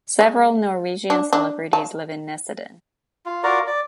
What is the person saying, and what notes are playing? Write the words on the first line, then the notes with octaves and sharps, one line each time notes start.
Several Norwegian celebrities live in Nesodden.
G#3
D4
D4
A5
F4
F4 F#4 A#4 D5
D5